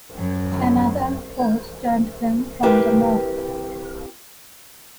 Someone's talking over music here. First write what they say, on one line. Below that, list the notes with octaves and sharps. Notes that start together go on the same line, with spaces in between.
Another force joined them from the north.
F#2
C4 E4 G4 A#4 B4